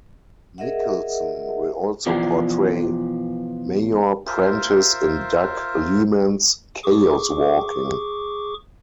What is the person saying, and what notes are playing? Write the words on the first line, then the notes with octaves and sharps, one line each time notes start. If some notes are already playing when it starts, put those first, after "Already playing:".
Mikkelsen will also portray Mayor Prentiss in Doug Liman's "Chaos Walking".
G#4 A#4 D#5 E5 F#5
B2 E3 F3 D5
F4 A#4 C5 E5
G#4 C#6 D6